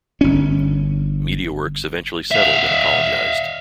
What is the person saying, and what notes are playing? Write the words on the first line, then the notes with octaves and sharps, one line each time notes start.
Mediaworks eventually settled and apologised.
G1 C#4
E5 F5